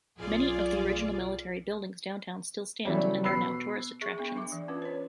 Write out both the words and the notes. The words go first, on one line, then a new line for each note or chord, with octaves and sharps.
Many of the original military buildings downtown still stand, and are now tourist attractions.
B1 F4 G#4 D5
C#3 E3 F#3 G3 A3
B2 B4 B5 E6 C7
G#4 E5 C#6
B3 D4 C#6
D4 E5 D6
E3
C#4 F4 B4
C5 C#5